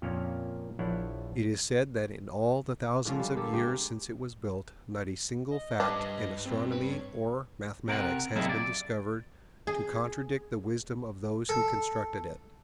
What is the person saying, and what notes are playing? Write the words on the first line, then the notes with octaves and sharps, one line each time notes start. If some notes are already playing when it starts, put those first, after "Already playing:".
It is said that in all the thousands of years since it was built not a single fact in astronomy or mathematics has been discovered to contradict the wisdom of those who constructed it.
F2 A#2 A#3 C#4 C#5 F5
A#1 F3 D4 E4 C#5 F#5
D3 F3 G#3 C#4
G3
A#3 G4 A4
G#3 C4 G4 G#4
D#5
G2 D4 B4
C4
B4
C#5
C3 A#4 F5 F#5
C3 F#3 G#3 A#3 D4 E4
D5
G#4
A4